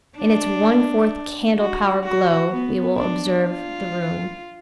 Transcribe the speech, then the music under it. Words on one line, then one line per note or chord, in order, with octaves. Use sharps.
In its one-fourth-candlepower glow we will observe the room.
D4
F#4
F#4
B3
D4
F4